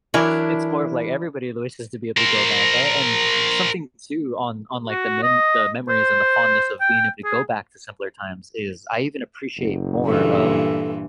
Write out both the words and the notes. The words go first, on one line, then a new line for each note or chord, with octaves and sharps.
It's more of, like, everybody always has to be able to go back, right? And, something too on on, like, the men the memories and the fondness of being able to go back to simpler times is, I even appreciate more of-
E3 F#3 D4 E4 A#4
A#4 C5
F#4
D#5
C5
G5
G#4
F#1
G2 A#2 E3 A4